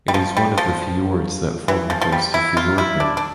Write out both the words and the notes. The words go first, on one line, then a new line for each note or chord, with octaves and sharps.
It is one of the fiords that form the coast of Fiordland.
G3
F3
G3
F3
E3
F3
F3
G3
E4
F4
E4
D4
D4